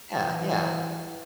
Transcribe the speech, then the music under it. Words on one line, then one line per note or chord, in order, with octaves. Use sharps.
Yeah, yeah.
E3